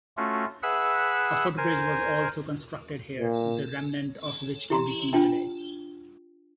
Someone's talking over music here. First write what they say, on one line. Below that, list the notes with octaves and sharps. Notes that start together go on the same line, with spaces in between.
A footbridge was also constructed here, the remnants of which can been seen today.
A3 C#4 F4 F#4
G#4 B4 E5 F#5 E6 F#6
A#4 C5 G#5
A#2
E4 G4 A#5 C6
D4 F4 G5 A5